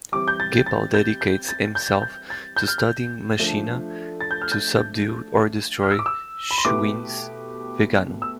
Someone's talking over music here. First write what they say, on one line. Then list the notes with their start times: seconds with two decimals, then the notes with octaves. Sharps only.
Gippal dedicates himself to studying machina to subdue or destroy Shuyin's Vegnagun.
0.12 E3 G3 C4 G4 D6
0.28 G6
0.40 A6
0.66 A6
0.94 G6
1.21 G6
1.49 A6
1.75 G6
2.02 G6
2.30 A6
2.57 G6
2.68 F6
2.78 G6
3.39 F3 A3 D4 A4
4.21 A6
4.31 G6
4.42 F6
4.52 G6
5.83 F6
5.91 E6
5.99 D6
6.06 E6
6.51 B5
6.58 C6
6.65 B2 A3 E4 G4 B4 D6
8.22 E6